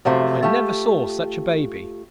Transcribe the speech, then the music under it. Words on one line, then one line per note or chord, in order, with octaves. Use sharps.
'I never saw such a baby.'
F#2 C3 F3 A3
A3 F4 G4 A5